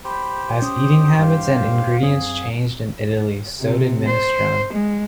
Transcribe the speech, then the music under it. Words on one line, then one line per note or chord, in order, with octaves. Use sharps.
As eating habits and ingredients changed in Italy, so did minestrone.
G4 C5 B5
C#4 D#6
G2 F5
F#2 C4 G#4
C3
C5
G#3